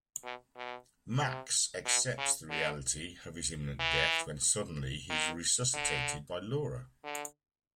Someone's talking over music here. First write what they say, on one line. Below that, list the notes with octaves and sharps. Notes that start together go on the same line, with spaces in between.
Max accepts the reality of his imminent death when suddenly he's resuscitated by Laura.
B2
B2
C3
B2
C#3
D3
E3
D#3
D3
D3